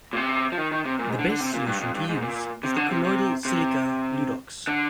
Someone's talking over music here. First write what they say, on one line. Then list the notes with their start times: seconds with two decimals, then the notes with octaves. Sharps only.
The best solution to use is the colloidal silica, Ludox.
0.13 A#2
0.17 C3
0.52 F3
0.58 D#3
0.71 D#3
0.85 C3
0.99 A#2
1.09 G#2
1.19 D3
1.30 D3
1.40 C3
1.53 A#2
1.67 G2
1.81 F2
1.95 G2
2.09 G#2
2.22 A#2
2.63 C3
2.76 D3
2.90 C3
3.04 C3
3.45 C3
4.67 D3